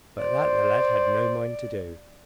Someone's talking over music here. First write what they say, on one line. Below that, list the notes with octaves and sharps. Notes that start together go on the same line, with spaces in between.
But that the lad had no mind to do.
C5 D5